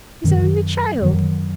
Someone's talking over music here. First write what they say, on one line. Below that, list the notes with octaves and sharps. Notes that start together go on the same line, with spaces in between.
His only child!
F#2 D#3 F#3
F#2 D#3 F#3